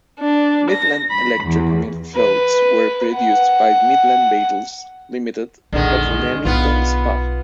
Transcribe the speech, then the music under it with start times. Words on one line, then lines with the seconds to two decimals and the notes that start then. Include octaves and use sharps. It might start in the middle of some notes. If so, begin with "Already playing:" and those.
Midland Electric milk floats were produced by Midland Vehicles Limited of Leamington Spa.
0.19 D4
0.70 A#6
1.10 B5
1.45 E2
2.15 B4
3.15 F#5
5.73 A#1 E2 D3 D#3 G#3
6.45 B1 B2 B3 F4